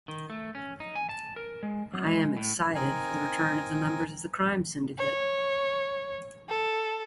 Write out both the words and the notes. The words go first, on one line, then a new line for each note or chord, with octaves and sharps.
I am excited for the return of the members of the Crime Syndicate.
D#3
A3
C#4
D#4
G#5
A5
A#4
G#3
F#3
G#3
A2
C4 D#4 A#4 G#5
C#5
A4